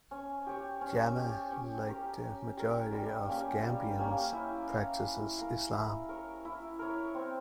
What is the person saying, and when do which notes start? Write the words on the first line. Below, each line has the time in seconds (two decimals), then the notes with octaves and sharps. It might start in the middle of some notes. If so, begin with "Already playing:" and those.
Jammeh, like the majority of Gambians, practices Islam.
0.11 C#4
0.47 G4 C#5
0.81 C#4
1.17 G4 C#5
1.52 C#4
1.86 G4 A#4 C#5
2.22 C#4
2.57 G4 A#4 C#5
2.93 G3
3.28 A#3 C#4 G4
3.63 G3
3.98 A#3 C#4 G4
4.33 E4
4.68 A#4 F5
5.04 E4
5.38 A#4 F5
5.74 E4
6.09 A#4 C#5
6.45 E4
6.79 A#4 C#5
7.15 C4